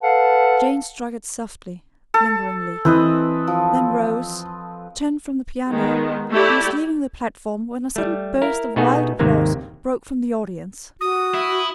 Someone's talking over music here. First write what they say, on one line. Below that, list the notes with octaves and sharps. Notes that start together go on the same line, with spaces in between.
Jane struck it softly, lingeringly; then rose, turned from the piano, and was leaving the platform, when a sudden burst of wild applause broke from the audience.
A4 B4 F5 F#5 A5
A4
E3 C4 B4 D#5
F3
D#3 G#3 B3
A3 E4 G4 D5
G3 A3
E4 A#4 F5
B2 A3 B3 D#4 F#4 G#4
D#2 G#2 C3 D#3 G#3 A#3
F#4 D#6
E4